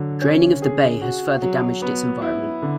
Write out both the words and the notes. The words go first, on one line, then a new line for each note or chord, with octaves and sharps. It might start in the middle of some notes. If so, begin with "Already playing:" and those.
Draining of the bay has further damaged its environment.
Already playing: D3 F#3
C#4
G#4
F#4
F#3
B3
E4
D3